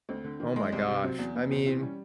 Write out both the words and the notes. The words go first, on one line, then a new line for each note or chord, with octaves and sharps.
Oh my gosh, I mean,
D2 C4
D3
D#3
G#3
C2
C3
F#3 C4
E2
E2 B3
B2 C4
E3 C4
G3 C#4